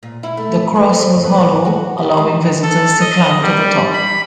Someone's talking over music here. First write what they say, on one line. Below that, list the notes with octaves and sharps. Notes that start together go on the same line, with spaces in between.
The cross was hollow, allowing visitors to climb to the top.
A#2
E4
A3
B4
C4
B3
E3
F#4
G4
G#3
A4
D#5
G3
B5